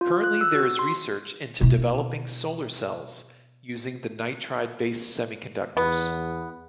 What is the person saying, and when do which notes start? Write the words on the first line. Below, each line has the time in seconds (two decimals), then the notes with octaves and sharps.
Currently there is research into developing solar cells using the nitride based semiconductors.
0.01 F4
0.24 F#6
0.41 E6
0.55 F#4
0.79 C6
1.61 B2 E4
5.77 E2 B3